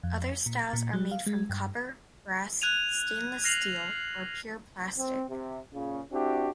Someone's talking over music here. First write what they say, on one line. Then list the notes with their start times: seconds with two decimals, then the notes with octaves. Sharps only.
Other styles are made from copper, brass, stainless steel, or pure plastic.
0.03 F2
0.46 A#2
0.61 A6
0.73 A#2
0.93 F#3
1.11 F5
1.26 G#3
1.49 G2
2.62 F#6 G#6 D#7 F7
3.44 F6 A#6 C7 F7 F#7
4.97 C4
5.29 C3
5.73 A#2 C#3
6.12 C4 D4 E4 F#4 G4